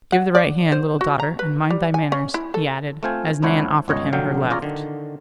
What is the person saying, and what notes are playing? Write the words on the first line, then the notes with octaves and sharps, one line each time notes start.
"Give the right hand, little daughter, and mind thy manners," he added, as Nan offered him her left.
F#5
D5
C5
F#4
A#5
B4
G3
G#5
C#4
E4
A4
A3 C4 F4 C5 G#5
C#2 D4 E4 C5 C#5 F#5
G1 C#2 C#5 D#5
A#1 D3 F#3 F5 G5
C#4 F4 G#4 C#5 D5 A#5
D3 D#3